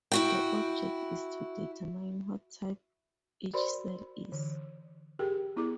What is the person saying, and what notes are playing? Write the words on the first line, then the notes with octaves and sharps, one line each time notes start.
The object is to determine what type each cell is.
E4 F#4 G5
F#4 A#4 C5 D5 B5 C6
D3 E3
G4 G#4 A#4 G5
B3 E4 G#4 D6